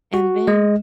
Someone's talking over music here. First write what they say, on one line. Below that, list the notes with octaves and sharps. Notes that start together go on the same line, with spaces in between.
And then
F#4
G#3 D#5